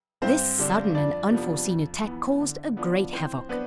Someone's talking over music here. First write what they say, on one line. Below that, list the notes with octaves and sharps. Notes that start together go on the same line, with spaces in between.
This sudden and unforeseen attack caused a great havoc.
G2 C4 C5
D3 G3 D4
F2 D4 D5
C3 F3 B3 D4
F2
E3 B3
D3
F3 B3 D4
A2 C4 C5
B3 D4 B4